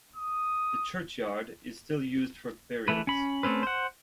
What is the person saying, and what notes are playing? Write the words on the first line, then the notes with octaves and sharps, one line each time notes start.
The churchyard is still used for burials.
D#6
E3 A3 B4
C#4 B5
A3 C4 C#4 B4
C5 F#5